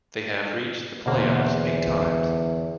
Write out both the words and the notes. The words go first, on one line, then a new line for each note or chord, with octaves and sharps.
They have reached the playoffs eight times.
E2 B2 D3 A#3 C5 F#5